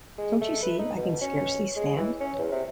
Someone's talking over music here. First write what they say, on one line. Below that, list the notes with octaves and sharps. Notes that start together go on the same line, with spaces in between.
Don’t you see I can scarcely stand?
G#3
A3
B4
D#4
B2
C#4
G#3
E3
C#4
E2
C3